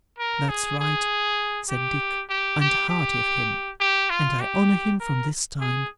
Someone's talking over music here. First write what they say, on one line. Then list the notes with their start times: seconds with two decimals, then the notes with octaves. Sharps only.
'That's right!' said Dick; 'and hearty of him; and I honour him from this time.
0.19 A#4
0.49 G#4
0.79 G#4
1.69 G4
2.29 G4
2.60 G4
2.89 G4
3.80 G4
4.10 F4
4.40 G4
5.00 A#4
5.61 G#4